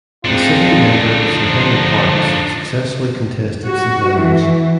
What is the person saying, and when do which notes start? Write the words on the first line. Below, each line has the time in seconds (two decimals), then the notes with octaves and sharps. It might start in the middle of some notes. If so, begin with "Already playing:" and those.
The sitting member Sir Henry Parkes successfully contested St Leonards.
0.25 G#3 C4 D4 D#4 F4
1.25 D3 F3
3.66 F#4
4.18 E3